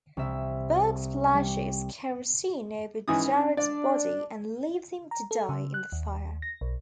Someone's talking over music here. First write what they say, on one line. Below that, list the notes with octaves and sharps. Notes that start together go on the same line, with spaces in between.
Burke splashes kerosene over Jarrod's body and leaves him to die in the fire.
C2 E5
G3
G#2 E3 C#4 D#6
D4 D5
A#5
A4
C#3
F#6
D#2
A#6
B1